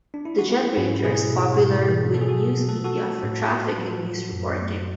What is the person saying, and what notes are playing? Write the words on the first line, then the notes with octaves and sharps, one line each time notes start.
The JetRanger is popular with news media for traffic and news reporting.
D4
E4
F#4
A3 E4 G#4
G#2 C#4 E4
B2 E4 G#4
B2
G#2
E3
B2 A4
G#4
F#4 A4
F#3
A3 A4
F#4 A4
A3
A2
A2
F#3
F#3
F#2
A3